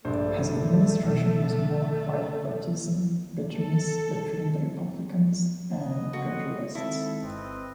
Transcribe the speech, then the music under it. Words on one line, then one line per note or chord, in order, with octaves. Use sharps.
His administration was marked by partisan bitterness between the Republicans and Federalists.
A#1 G2 A3 C5
B1
A4
B4 D#5
C4 F#4 A4 F#5
D#3 G#3 C4 E4 A4
G1 C4 B4 D#5